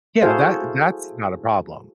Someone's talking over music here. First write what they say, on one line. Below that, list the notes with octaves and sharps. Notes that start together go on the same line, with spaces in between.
Yeah, that that's not a problem.
E4 F#4 G#4 A4 C5 F5